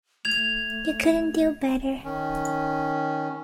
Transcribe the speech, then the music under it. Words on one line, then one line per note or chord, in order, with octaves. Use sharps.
You couldn't do better.
A3 G#6 F7
D#3 C#4